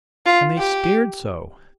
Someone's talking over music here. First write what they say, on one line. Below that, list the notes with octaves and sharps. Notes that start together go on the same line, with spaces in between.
And they stared so!
F4
G4